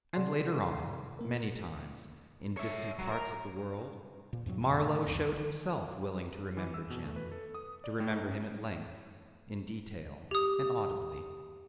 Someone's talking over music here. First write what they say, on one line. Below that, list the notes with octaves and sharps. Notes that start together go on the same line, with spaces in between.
And later on, many times, in distant parts of the world, Marlow showed himself willing to remember Jim, to remember him at length, in detail and audibly.
C3 G#4 D5 F#5 C6 C7
A#3 A#4
C#5 E5
F#3
A#4
A#2
E2 G2 F3 F#3
F2 B2
A2
C2 F2
E3
E6
B2
A3
B4
A4
D#6
D5
A2
D#4
C#4
G4 D#6